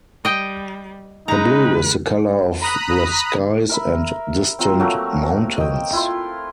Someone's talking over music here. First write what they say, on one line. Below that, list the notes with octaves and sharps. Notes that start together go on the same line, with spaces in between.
The blue is the color of the skies and distant mountains.
G3 D#5 G5
G#3 D#4 B4 A#5
A#5 B5 D#6 F#6
A#4 E5 B5
C4 F4 A#5
F#3 A3 A#3 A#4
D#5 G5
E4 F4 C6